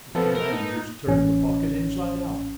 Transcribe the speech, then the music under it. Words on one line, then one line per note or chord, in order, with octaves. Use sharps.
The two managers turned the pocket inside out.
F3 B3 A4
A#4
D#4
A1 C#4